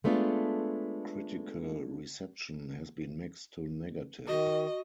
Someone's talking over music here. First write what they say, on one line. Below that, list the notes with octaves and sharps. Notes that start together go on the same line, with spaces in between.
Critical reception has been mixed to negative.
G#3 A3 B3 D4 F4 A4
D#3 F#4 D#5